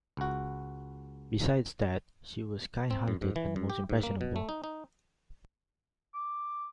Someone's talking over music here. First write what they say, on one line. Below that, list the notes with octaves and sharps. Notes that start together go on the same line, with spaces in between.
Besides that, she was kind-hearted and most impressionable.
C#2 F#4
C4
F#2
G#2
E3
F#2
G4
G#2
A#3
B2
A3
D#4
D#4
D6